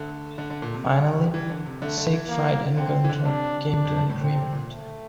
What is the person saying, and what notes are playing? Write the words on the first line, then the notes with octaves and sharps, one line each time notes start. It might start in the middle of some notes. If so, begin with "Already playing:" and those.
Finally Siegfried and Gunther came to an agreement.
Already playing: D3 A3
D3
D3
A#2
C3
D3 G3
E3
D3
C3
D3 A3
D3
E3
A#3
D3 C4
E3
D3
C3 D4
D4
F2
G2
A2
A#2 C4
C3
A#2
A3